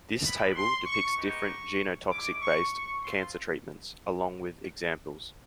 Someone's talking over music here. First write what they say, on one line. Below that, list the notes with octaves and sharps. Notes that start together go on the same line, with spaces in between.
This table depicts different genotoxic-based cancer treatments along with examples.
G3 B3 E4 G4 B5
C6
C#6
G#3 B3 D#4 G4 C#6
G#3 C#4 E4 D6
C#6
C#6
C4 F4 C6